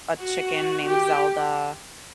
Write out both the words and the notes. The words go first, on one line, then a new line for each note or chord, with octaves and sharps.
a chicken named Zelda,
F#4
G4